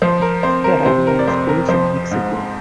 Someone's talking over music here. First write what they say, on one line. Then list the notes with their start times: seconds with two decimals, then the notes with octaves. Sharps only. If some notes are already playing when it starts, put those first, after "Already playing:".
There are no schools in Mexico.
0.02 F3 C5
0.22 A#4
0.43 C4 C5
0.64 A#4
0.85 C3 C5
1.07 A#4
1.19 D5
1.28 F2 C5
1.49 A#4
1.69 F3 C5
2.11 G#2